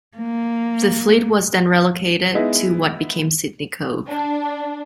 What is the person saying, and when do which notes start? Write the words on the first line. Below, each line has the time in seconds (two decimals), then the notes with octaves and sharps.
The fleet was then relocated to what became Sydney Cove.
0.17 A#3
2.35 G#3 B3 D#4 E4
4.09 D4